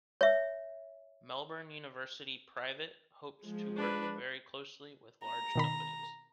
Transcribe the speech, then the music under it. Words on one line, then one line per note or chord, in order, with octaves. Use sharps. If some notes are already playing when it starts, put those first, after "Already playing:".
Melbourne University Private hoped to work very closely with large companies.
C#5 E5
F3 G#3
D4 B4
A#5
B2 D#3 B5